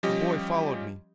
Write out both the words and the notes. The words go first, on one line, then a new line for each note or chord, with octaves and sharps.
The boy followed me.
F3 G3 C#4 G4 D#5